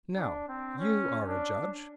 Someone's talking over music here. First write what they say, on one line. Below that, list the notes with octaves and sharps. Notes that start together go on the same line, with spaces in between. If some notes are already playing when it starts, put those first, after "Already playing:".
Now, you are a judge!
D4
C4
C#4
D4